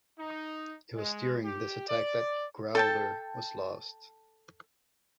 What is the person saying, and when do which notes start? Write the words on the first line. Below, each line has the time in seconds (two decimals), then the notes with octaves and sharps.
It was during this attack that "Growler" was lost.
0.19 D#4
0.96 G#3
1.43 G4
1.88 D5
2.75 A4 G5 A5